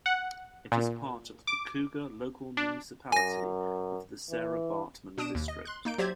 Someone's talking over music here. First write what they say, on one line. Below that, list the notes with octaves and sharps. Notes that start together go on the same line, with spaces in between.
It is part of the Kouga Local Municipality of the Sarah Baartman District.
F#5
A#2
D6
D4
F#2 G#5 A#6
E3
B2 D4 D#6 D7 E7
D#2
D#5
C6 F#6
A#3 D#4 G6 D7
F#3 G4 C5 D5 E5 G#6